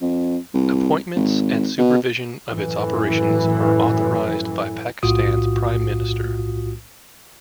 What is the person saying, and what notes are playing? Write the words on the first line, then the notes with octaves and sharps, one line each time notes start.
Appointments and supervision of its operations are authorized by Pakistan's Prime Minister.
F2
C2
G#1
B2
F#2 A2 E3
B1 A2 F4 F#4 D#6